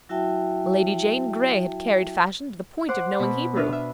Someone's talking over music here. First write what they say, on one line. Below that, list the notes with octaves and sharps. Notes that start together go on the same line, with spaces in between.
Lady Jane Grey had carried fashion to the point of knowing Hebrew.
F#3 E4 F#4 E5 G5 A5
C5 F#5 D6
B2 B5
B3 D4 B4 E5 F6
E5